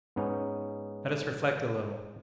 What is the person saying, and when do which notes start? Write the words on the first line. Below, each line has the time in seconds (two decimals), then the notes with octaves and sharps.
Let us reflect a little.
0.16 G#2 B3 C#4 D#4